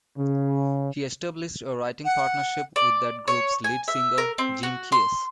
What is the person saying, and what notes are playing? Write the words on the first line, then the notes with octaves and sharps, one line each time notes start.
He established a writing partnership with that group's lead singer, Jim Keays.
C#3
F#5
D5
C#5
G#5
E5
A#4
C4
F#4
C6